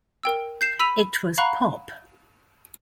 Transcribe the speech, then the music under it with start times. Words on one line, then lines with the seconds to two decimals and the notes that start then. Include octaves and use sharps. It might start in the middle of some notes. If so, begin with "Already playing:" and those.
It was pop.
0.23 A#4 G5 E6
0.61 G6 C7 E7
0.79 B5 E6 B6 D#7 F7
1.38 F5 F#5 A#5 B5 C#6 F#6